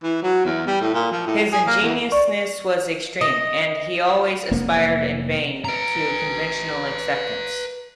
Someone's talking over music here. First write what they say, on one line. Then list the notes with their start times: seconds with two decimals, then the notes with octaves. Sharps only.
His ingenuousness was extreme, and he always aspired, in vain, to conventional acceptance.
0.03 E3
0.23 F#3
0.45 E2
0.68 G3
0.81 A2
0.94 A#2
1.12 F3
1.27 A2
1.53 G#4
1.67 A#3
1.82 E2
2.12 D5 C#6
3.21 D#5
4.51 F1 A#3 B3
5.65 B4 A#5